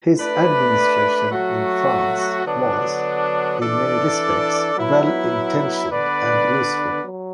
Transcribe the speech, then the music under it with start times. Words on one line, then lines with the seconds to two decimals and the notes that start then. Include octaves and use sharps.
His administration in France was, in many respects, well-intentioned and useful.
0.15 A3 D4 B4 D5
1.31 F#3 A3 F#4
2.45 D3 F#3 B3 D4
3.60 E3 D4 A4 D5
4.75 F#3 B3 E4
5.89 D3 B3 D4 B4 D5
7.04 F#3